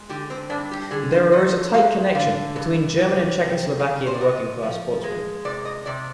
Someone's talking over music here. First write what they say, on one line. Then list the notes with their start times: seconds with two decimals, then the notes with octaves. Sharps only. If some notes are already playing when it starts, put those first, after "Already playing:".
There arose a tight connection between German and Czechoslovakian working-class sportsmen.
Already playing: G#3
0.09 D3 G4
0.30 C4
0.50 G2 D4
0.71 G4
0.91 D3 G#4
1.12 C5
1.32 F3 D#5
1.74 G#3 F5
2.15 D3 F5
2.56 G2
2.97 C3
3.39 C3
3.79 C3 F5
4.07 C5
4.14 D5
4.21 C3 D#5
4.63 F3
5.03 G#3
5.45 C3 D5
5.65 D#5
5.86 C3 D5